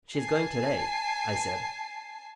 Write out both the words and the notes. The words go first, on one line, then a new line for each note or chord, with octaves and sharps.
"She's going to-day!" I said.
G#5 A5 C7